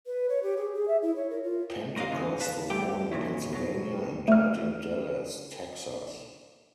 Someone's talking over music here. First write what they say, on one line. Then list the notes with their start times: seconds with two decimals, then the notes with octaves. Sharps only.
Pentecost was born in Pennsylvania and died in Dallas, Texas.
0.07 B4
0.29 C#5
0.43 G4
0.57 G#4
0.74 G#4
0.88 E5
1.02 E4
1.16 C#5
1.30 A#4
1.43 F4
1.96 G#2 A#4 D#5 F5
2.11 G#2 C#3 E3 F3 B3
2.41 B4 F5 A5
2.70 G2 A3 G4
3.12 A#2 D#3 E3 F#3 E4
3.53 B2 F#3
4.28 A3 F6